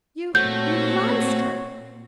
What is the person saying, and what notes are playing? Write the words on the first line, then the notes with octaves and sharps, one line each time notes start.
"You--you monster!"
A#2 A3 C4 F#4 C5 C#5 G6